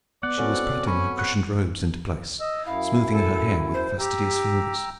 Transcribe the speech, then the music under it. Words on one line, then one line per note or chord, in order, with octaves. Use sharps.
She was patting her crushed robes into place, smoothing her hair with fastidious fingers.
B3 D5 F#5
C4 C#4 F#4 A4 B4
C#4 B5
C#4 F#5
D#5 E6
F#2 E4 F5
A4
C5
G4 G5 A#5 E6